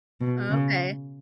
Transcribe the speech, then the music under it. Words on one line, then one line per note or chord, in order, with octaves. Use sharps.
Oh, okay.
B2
C#3